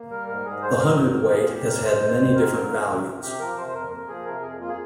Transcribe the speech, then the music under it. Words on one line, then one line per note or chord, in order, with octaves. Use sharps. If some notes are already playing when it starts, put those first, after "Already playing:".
The hundredweight has had many different values.
Already playing: A#3
G3 A#4
G#2 A#4
G#2 G#4
G3 C5
D3 A#4
F2
F2
A#3 G#4
G3 G4
C3 A#4
C3 C5
G#3
D#3
G#2 A#4
G#2
A#3
D#3
C3
C3 G4
F3 A#4
C3 C5
C5
F2 A#4
A#3 A#4
F3 G#4
C3 A#4
F2 G#4
A#3 F4
G#4